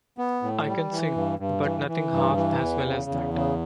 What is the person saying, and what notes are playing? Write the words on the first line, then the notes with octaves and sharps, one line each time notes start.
I can sing, but nothing half as well as that.
B3
A2
G3
E3
G2
G2
E3
E3
G2
E3
E2
C#3
E2
C#3